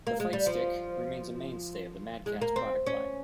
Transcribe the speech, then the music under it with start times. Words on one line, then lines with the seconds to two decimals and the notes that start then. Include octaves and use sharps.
The FightStick remains a mainstay of the Mad Catz product line.
0.07 A#3
0.20 G#3
0.33 G3
0.46 F3
2.26 G#3
2.42 A#3
2.56 C4
2.86 C#4